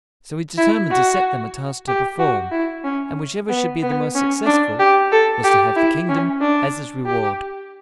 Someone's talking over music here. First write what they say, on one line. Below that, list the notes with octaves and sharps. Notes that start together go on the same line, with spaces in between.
So he determined to set them a task to perform, and whichever should be the most successful was to have the kingdom as his reward.
E4
F#4
G4
F#4
E4
C#4
B3
B3
C#4
D4
G4
A4
G4
E4
C#4
D4
G4